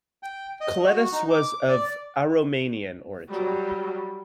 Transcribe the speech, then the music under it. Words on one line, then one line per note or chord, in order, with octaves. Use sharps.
Kolettis was of Aromanian origin.
G5
D#5
F#4
D#4
D6
D5
F#3 G3